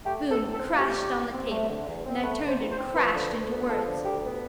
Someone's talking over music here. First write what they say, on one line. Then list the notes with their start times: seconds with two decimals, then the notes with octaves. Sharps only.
The spoon crashed on the table, and I turned and crashed into words.
0.05 A3 G4
0.23 D3
0.30 A4
0.42 E2
0.54 A4
0.59 C4
0.73 F4
0.78 A3 G4
0.96 D3
1.15 E2
1.32 C4
1.51 A3
1.69 D3
1.88 E2
2.06 C4
2.23 A3 B4
2.41 D3
2.48 C5
2.59 E2
2.72 C5
2.78 C4
2.96 F3 B4
3.14 D3
3.32 D2
3.51 B3
3.69 F3 A4
3.87 D3
4.05 D2 G4
4.24 B3